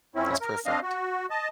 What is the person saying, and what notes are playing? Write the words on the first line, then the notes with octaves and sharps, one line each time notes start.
That's perfect.
F2 C4 C#4 E4
A#4
C4 D4 D#5 F5
F#4
D#5 A5